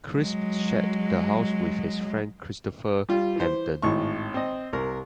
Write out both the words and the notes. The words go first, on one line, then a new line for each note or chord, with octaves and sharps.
Crisp shared the house with his friend Christopher Hamilton.
F#3 G#3
G3 F4
E3 C5
G#1 A2 C#6
C4 D#5
C2 A#4